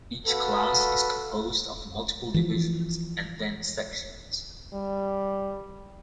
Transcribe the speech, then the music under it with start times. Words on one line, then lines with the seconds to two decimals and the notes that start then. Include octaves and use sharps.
Each class is composed of multiple divisions and then sections.
0.26 F#4 A4 B4 F5
2.34 E3 F3
4.73 G3